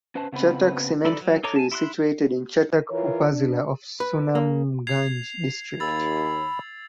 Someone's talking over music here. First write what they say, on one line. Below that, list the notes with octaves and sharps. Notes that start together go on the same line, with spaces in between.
Chhatak Cement Factory is situated in Chhatak Upazila of Sunamganj district.
C#4 B4 C5 A5
C#3 B3 C4 B4
D3 D#4 A4 D5 B5
F#3
D#4 A4 C#5 A#5 D6
G#5 A5
E4 C6 D6 F#6
E3 F4 A#4 C#5
D4
B4
A#3
G#6 C7 F7
D#2 B5 E6 A6